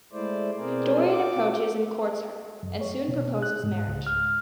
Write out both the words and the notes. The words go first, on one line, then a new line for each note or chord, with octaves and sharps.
Dorian approaches and courts her, and soon proposes marriage.
G#3 A3 E4 C5 D5
B2 C4 G#4 A#4 C5 D5
F4 D6
F#2
C#5
B2
F#6
G#2
C#2
F6